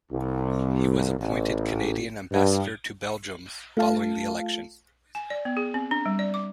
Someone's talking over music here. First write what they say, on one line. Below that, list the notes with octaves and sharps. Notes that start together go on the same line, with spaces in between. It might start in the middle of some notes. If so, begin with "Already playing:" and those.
He was appointed Canadian Ambassador to Belgium following the election.
C2
A1
G2
A3 F4 F5 A5
G#5
D5
B3
G#4
C4
D4
G3
D5
D6